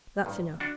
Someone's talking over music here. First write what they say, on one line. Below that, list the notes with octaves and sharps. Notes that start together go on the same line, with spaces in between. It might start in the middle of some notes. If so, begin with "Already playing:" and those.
That's enough.'
A1 G2 D#3
D4 F#4